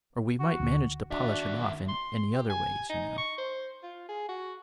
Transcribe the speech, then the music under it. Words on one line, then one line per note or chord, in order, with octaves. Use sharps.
"Or we might manage to polish him off in any other way, you know."
F#4
D2
D#2 D4 F#4 E5
C6
G4
G#5
D#4
C#6
C5
F4
G#4
F#4